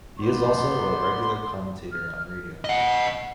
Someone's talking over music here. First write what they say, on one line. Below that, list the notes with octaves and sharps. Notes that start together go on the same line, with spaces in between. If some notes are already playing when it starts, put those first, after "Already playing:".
He is also a regular commentator on radio.
B3 C5 D5 C6
F6
D#5 F#5